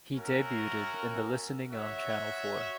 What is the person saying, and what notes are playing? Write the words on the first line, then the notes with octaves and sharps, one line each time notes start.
He debuted in The Listening on Channel Four.
C#4 F#4 A#4 E5
F#4 C#5 E5